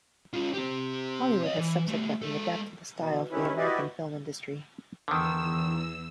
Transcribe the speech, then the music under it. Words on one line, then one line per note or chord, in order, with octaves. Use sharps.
Hollywood has subsequently adapted the style for the American film industry.
C#4 F4
C4 G4
C#5 D#5
E3
G3 A3
G#3 A4
B2 E3
D#3 G3 C#4 E4 B4
E4 F#4 G4 B4 D5 D#5
E2 D3 D#3 E6